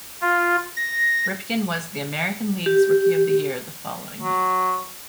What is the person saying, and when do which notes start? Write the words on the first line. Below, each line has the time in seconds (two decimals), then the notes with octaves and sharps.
Ripken was the American League's Rookie of the Year the following year.
0.22 F4
0.76 A#6
2.66 G4
4.22 F#3